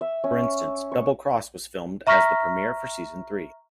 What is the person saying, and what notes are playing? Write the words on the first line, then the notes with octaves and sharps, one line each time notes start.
For instance, "Double Cross" was filmed as the premiere for Season Three.
E5
C#4
C#6
E5 A#5 C#6 F6 A#6 B6